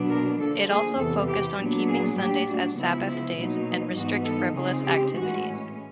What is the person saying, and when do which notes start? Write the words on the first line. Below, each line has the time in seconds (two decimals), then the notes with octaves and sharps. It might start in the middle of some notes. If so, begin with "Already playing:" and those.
It also focused on keeping Sundays as Sabbath days and restrict frivolous activities.
Already playing: B2 F#3 B3 D4
0.10 A#4
0.38 D3 F3 A#3 A4
0.69 G#4
0.98 E2 C3 E3 A4
1.28 G4
1.58 A#2 F#3 B3 D4
1.88 G#4
2.17 A2 F#3 A#3 D4 G4
2.47 F#4
2.77 C#3 F3 G#3 B3 E4
3.06 E4
3.37 B2 F#3 A#3 D#4
3.96 G#2 E3 G3 B3 D#4 F#4
4.26 A4
4.55 C#3 F3 G#3 C4 D#4 G#4
4.85 G4
5.15 A2 E3 G#3 C#4 F#4